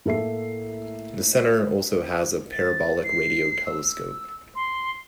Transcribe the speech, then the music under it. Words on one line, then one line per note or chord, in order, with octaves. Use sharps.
The centre also has a parabolic radio telescope.
A2 A#3 A4 E5 C7
A6
C7
E6
C6